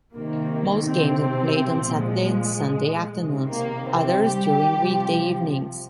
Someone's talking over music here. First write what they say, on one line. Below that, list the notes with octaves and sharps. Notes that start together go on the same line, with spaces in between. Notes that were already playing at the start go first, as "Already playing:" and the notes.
Most games are played on Saturday and Sunday afternoons; others during weekday evenings.
C3 D#3 A#3
C3 C4
A#2 F3
G#3
C3 D#3
A#3
C3 C4
G3 G4
C3 F3